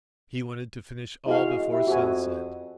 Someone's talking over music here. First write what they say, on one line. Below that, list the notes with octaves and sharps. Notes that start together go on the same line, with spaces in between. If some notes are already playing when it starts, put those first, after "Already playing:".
He wanted to finish all before sunset.
G#3 E4 F#4 F5
E4 G4
F2 F#4 E5 G#5